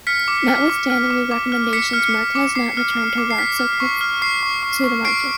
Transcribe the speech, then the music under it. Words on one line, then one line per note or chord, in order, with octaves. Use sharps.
Notwithstanding these recommendations, Merck has not returned rofecoxib to the market.
F6 B6 C#7
D6
F6
D6
F6
D6
D6
F6
D6 B6 C#7
F6
F6
D6
D6 C7
F6
F6
D6
C7
F6 B6
F6
C#6
F6
C#6 C7
C#6
C#6
C#6
C#6 C7 D7